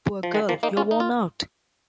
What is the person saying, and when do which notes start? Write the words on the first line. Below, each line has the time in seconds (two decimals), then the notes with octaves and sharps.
Poor girl, you're worn out.
0.23 F3
0.34 D#3 G#3
0.49 F3 A#3
0.63 A#3 D#4
0.77 C#4 F4
0.91 D#4
1.00 F4